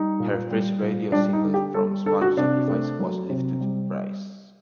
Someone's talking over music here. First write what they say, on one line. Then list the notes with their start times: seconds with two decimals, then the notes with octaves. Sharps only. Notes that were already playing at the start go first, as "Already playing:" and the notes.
Her first radio single from "Small Sacrifice" was "Live to Praise".
Already playing: G3 D#4
0.20 A#2
0.50 G3
0.82 A#2
1.12 G3 D4
1.33 D#4
1.44 D3
1.54 G4
1.74 G3 A4
2.05 D3 A4
2.21 F#4
2.37 C3 D4
2.68 A3
2.99 F#3
3.30 C3
3.61 G3